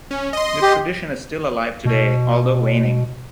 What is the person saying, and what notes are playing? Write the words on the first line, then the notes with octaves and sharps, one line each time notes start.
The tradition is still alive today, although waning.
C#4
D#5 C6
G4
B2